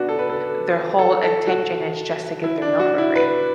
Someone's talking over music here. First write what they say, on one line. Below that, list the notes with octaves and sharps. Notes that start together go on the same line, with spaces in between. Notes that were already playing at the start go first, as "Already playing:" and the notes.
their whole intention is just to get their meal for free.
Already playing: B3 D4 F#4
A4
B4
A4
A4
A4
F#4
E4
D4
F#4
E4
B4